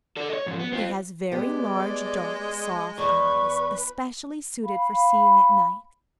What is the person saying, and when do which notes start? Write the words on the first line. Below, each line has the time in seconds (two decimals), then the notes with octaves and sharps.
He has very large, dark, soft eyes, especially suited for seeing at night.
0.17 A4 D5
0.30 C#5 D#5
0.47 G#2 F3
0.59 B3
0.73 C4 F4
1.32 G#3 B3 G4 D5
2.98 E2 B4 C#6
4.64 F5 B5